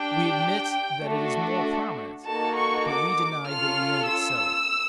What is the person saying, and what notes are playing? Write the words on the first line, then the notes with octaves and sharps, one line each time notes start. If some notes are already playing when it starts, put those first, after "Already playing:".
We admit that it is more prominent, but we deny that we made it so.
Already playing: D4 G4 G5
A3 D4 F#4 A4
A#3 D#4 F#4 A4 A5
C#6
D6
C#4 F4 A4 F6
E6